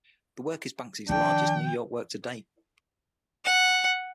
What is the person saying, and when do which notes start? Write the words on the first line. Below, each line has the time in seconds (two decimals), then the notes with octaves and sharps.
The work is Banksy's largest New York work to date.
1.09 D#3 F3 D4 G5
3.45 F#5